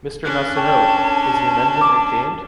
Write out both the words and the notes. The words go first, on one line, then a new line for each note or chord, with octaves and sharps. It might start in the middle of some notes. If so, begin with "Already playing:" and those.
Mrs. Massonneau, is the amendment maintained?
C#4 D4 F#6
C#5 G5 A5 C#6
D6